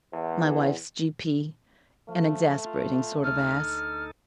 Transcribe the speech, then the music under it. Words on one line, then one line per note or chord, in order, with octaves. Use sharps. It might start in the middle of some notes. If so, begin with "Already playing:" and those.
My wife's G.P.--an exasperating sort of ass.
E2
F3 A3
F4
D2 D#4 A4 F6